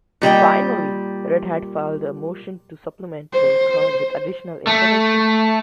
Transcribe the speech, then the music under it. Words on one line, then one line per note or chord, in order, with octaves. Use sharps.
Finally, Red Hat filed a motion to supplement the record with additional information.
A#2 G3 D#5 G5
C5
A3